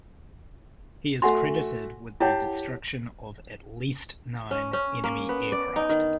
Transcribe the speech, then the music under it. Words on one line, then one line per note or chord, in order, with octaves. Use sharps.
He is credited with the destruction of at least nine enemy aircraft.
A3 F#4 F#5 G#5 C6
E4 G4 C#5 F#5 A5
C#4
C#4
A#3
B3
D5
D#4
D#3